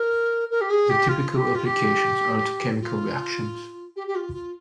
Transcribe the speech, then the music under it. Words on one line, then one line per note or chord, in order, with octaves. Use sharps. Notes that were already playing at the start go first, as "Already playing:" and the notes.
The typical applications are to chemical reactions.
Already playing: A#4
A#4
G4
G#4
G4
F4
G4
F4
G4
F4
G4
G4
F4
F4